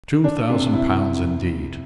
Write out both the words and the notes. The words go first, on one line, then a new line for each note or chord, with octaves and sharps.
Two thousand pounds indeed!
D4
C3
E4